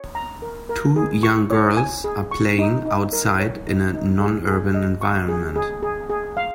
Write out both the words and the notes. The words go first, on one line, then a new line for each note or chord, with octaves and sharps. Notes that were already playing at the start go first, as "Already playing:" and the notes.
Two young girls are playing outside in a nonurban environment.
Already playing: C#5
A#5
A#4
A#4
G#4
C#6
C#5
G#5
G#4
C#6
D#4
D#4
A#4
C#5
D#4
D#4
G#4
G#4
D#5
C#6
G#4
G#4
G#4
G#4
F5